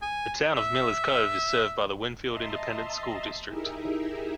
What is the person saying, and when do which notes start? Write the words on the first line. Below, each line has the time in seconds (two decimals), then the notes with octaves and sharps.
The Town of Miller's Cove is served by the Winfield Independent School District.
0.02 G#5
0.56 E5
2.26 D#5 E5 A5 A#5 C6
3.47 D#4 E4 G4 G#4 A#4 E5